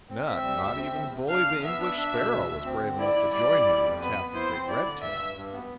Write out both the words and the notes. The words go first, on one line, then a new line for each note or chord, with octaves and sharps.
But none, not even Bully the English Sparrow, was brave enough to join him in attacking big Redtail.
C4
C4 E5
G3
D2
C4
E2
C3
D4 F5
E2
B3 E5
D4
D4
B2
D2
D2
C4
D3
E4 D5
E4
G3 D5
E4
G3
F2
B3 B4
B3
E4 C5
C4
E4 D5
D3
G2 E5
G2
G2
B3